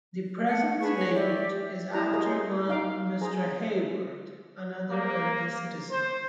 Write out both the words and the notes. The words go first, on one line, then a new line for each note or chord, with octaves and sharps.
The present name is after one Mr. Hayward, another early citizen.
A3 F#5
D4 G#4 B4 C#6
C#5
G4 D5 E5
E4 G4 A5 A#5
F#4 G#4 A#4 C#5 D#5
C6
D#4 F5 D6
G#4 C5 A#5
A#3
C5